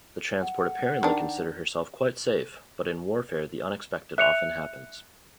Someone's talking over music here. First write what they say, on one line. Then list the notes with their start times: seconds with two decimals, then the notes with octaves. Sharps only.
The transport apparently considered herself quite safe-but in warfare the unexpected often happens.
0.42 F#5
1.03 D#3 D4
4.18 E5 F#6 C#7 F7